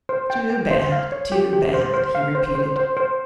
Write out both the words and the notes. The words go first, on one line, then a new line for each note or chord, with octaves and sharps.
"Too bad, too bad," he repeated.
C5
G5
G5
C5
F5
C#5
G4
G4
C5
C5
F5
C5
C5
C5
C5